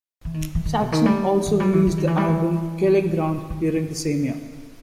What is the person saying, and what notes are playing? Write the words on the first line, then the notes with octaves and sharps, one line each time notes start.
Saxon also released the album "Killing Ground" during the same year.
E3
D#3
E3
D#3
B2
D#3
G3
E3
G3
E3
E3
D#3
E3
G3
E3
D#3